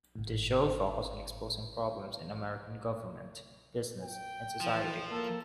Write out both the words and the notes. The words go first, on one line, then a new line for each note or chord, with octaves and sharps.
The show focused on exposing problems in American government, business, and society.
G#1 A2
G5
E3 F3
A#3 A4